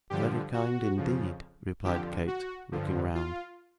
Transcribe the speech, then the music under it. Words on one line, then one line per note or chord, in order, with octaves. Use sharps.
'Very kind, indeed,' replied Kate, looking round.
G2 D3 F3 G4
F#4
F2 C#3 F3
F2 D3 F3 G4
F#4
G2 D3 F3
F4